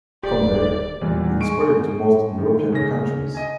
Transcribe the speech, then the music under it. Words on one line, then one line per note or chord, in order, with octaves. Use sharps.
From there, it spread to most European countries.
D#1 G4 D5
E2 A#2 G3
G#3 C#6 D7
D#3
C#3 A#6
D#5 G#5